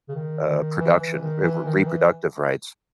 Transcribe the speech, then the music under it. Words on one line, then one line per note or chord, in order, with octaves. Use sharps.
uh, production eh, re reproductive rights
C#3
D#3
E3
E3
D#3
E3
D#3
E3